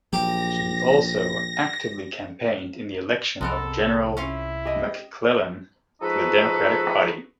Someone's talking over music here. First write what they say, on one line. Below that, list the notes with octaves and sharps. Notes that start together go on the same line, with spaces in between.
He also actively campaigned in the election of General McClellan for the Democratic Party.
A#1 F#3 G4 A#6
C2 G#3 B3 A4 A#4
C#4 E4 F4 F5
G4 D#5
F3 G#3 D#4 F#4 A4 B4